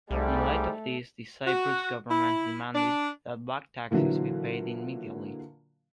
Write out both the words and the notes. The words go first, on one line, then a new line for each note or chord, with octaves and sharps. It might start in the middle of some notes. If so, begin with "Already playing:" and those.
In light of this, the Cyprus Government demanded that back taxes be paid immediately.
C2 G#2 G3 A3
F#4
E4
D4
A#2 D3 E3 F#3